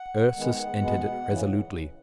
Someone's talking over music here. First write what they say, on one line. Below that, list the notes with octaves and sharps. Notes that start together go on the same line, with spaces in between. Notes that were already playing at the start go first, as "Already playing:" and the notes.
Ursus entered it resolutely.
Already playing: F#5
D#3 G#3 B3
B2 G#3 B3
C#3 E3